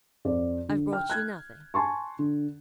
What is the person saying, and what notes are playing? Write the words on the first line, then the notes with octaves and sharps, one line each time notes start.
'I've brought you nothing.
F2 D5
D3
G5 F6
F#6 G#6
G#5 A5 C6 C#6
D3